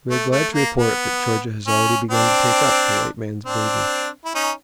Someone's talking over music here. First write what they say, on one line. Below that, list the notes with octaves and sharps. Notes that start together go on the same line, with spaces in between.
We are glad to report that Georgia has already begun to take up the white man's burden.
A3
A3
A#3
B3
C#4
C4 D4
C4 D4
E4
C#4 D#4